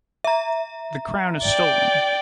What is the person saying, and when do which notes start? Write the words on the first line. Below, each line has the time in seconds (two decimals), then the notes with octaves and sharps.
The crown is stolen!
0.24 E5 A#5
1.44 D5 G5